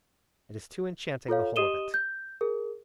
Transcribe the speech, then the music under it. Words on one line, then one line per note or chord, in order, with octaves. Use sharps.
It is too enchanting, the whole of it.
F4 A4 C#5 F5
G4 D#5 D#6 D#7 E7 G7
G6
G#4 A#4